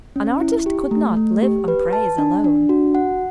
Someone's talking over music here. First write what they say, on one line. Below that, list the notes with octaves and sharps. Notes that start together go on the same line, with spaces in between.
An artist could not live on praise alone.
C#4
E4
G4
A3
A3
G4
B4
A5
D4
D4
F#4
F#5